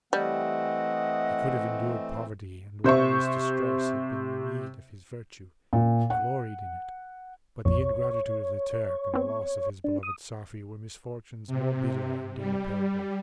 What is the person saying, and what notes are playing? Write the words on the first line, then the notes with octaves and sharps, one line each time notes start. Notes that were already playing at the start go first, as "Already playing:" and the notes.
He could have endured poverty, and while this distress had been the meed of his virtue, he gloried in it; but the ingratitude of the Turk and the loss of his beloved Safie were misfortunes more bitter and irreparable.
E3 G3 A3 C4 D#5 F#5
C3 C5 E5 C#6
A#2
F#5
A#1 F2 C#5
B3 C4
D4
D#6
C3
G3